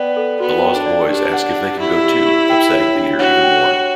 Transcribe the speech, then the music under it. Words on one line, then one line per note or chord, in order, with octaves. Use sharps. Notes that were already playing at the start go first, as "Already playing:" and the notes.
The Lost Boys ask if they can go too, upsetting Peter even more.
Already playing: B3 D5 G5
A4
B3 F#4
G5
D4
D5
D4 G4
F#5
F#5
E4 G4
G4
G4
G5
C#5
D4
F#4 C#5
G5
C#5